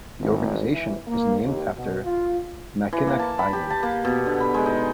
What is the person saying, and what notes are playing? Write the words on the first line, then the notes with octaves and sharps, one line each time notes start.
The organization is named after Mackinac Island.
G#1
E3
A#3
D#2
B2
F4
E3
A#3
A5
B5
G4
A5
A#3
B2
D3
B5
G#3
D#4